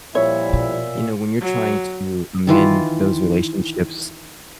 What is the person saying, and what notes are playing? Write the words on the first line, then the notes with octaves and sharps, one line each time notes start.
you know, when you're trying to amend those relationships,
A#2 F3 G3 E4 C#5 E5
B2
F#3
D#3 E3 F4